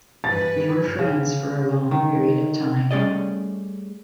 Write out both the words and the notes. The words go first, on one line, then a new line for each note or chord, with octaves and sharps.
They were friends for a long period of time.
G2 E3 B4 A6
C#3
D#3
G3 A3 C#4 G#4 D5 D#5